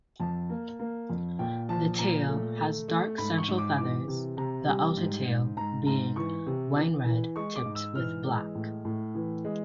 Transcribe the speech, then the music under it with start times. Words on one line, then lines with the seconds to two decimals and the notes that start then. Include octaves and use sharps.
The tail has dark central feathers, the outer tail being wine-red tipped with black.
0.20 F2 A5
0.49 A#3
0.79 A#3
1.10 F2
1.39 A#2 G5
1.69 F3 A5
1.98 A#2 A#5
2.28 A3
2.58 A3
2.88 A3
3.18 G#2 B5
3.38 C#6
3.48 G#2
3.58 D6
3.78 E3 D6
4.08 C3
4.37 C3 A#5
4.68 G3
4.97 G#2
5.27 G#2
5.57 G#2 A#5
5.86 G#2 A#5
6.16 E3 C#6
6.46 C3
6.76 E3
7.06 E3
7.36 G#3 C#6
7.56 D6
7.65 G#2
7.75 E6
7.95 E3 F6
8.25 G#3
8.55 A2
8.85 A2
9.15 E3
9.44 G#3